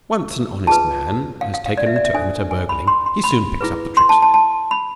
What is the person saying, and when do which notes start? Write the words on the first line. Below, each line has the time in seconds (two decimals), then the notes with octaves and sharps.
Once an honest man has taken to amateur burgling he soon picks up the tricks of it.
0.67 F4 G#4 B4 A5
1.41 F5
1.54 F5
1.66 F5
1.77 D5
1.86 E5
1.96 D5
2.05 E5
2.14 D4 A4 C5 G#5
2.51 G#5
2.69 B5
2.87 C6
3.06 C6
3.24 B5
3.61 E4 G#4 B4
3.97 C6
4.09 A5
4.22 A5
4.34 A5
4.71 B5